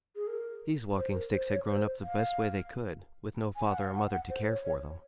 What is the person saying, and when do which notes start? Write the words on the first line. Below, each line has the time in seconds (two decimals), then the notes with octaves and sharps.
These Walking-Sticks had grown up the best way they could, with no father or mother to care for them.
0.16 G#4
0.27 A#4
0.97 C5
1.14 A#4
1.32 C5
1.50 C#5
1.66 C5
2.02 F5
3.56 G#5
3.65 F#5
3.78 F5
3.95 F#5
4.12 F#5
4.30 C5
4.47 C#5
4.65 C#5